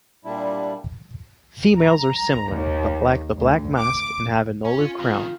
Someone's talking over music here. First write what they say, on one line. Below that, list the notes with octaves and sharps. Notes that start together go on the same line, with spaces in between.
Females are similar, but lack the black mask and have an olive crown.
A#2 G3 D4 E4
A#5
D#2
D2
D6
C#4 C#6
F4
F2 D#3